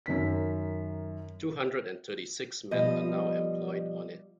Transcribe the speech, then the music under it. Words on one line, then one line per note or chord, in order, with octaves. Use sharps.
Two hundred and thirty-six men are now employed on it.
F#2 D#3 B6
B2 F3 G3 D#5 E5